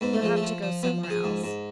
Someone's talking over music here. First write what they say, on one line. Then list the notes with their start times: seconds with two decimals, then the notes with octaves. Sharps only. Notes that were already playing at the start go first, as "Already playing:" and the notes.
"You'll have to go somewhere else."
0.01 G#2 B3
0.13 A3
0.22 F3 G#3
0.37 A3
0.42 F3
0.62 F3
0.83 F3 B3
1.04 F3
1.10 G#4
1.24 G#2
1.44 G#2